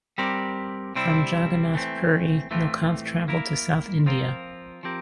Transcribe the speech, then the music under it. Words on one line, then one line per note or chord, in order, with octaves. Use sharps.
From Jagannath Puri, Nilkanth traveled to South India.
G3 C4 G4 A#4 D5
C3 G3 C4 E4
E3 A3 C4
A2 E3 A3 C4 F4
A#3 E4 A#4
F3 C4 F4 A#4
F3 C4 G4 A#4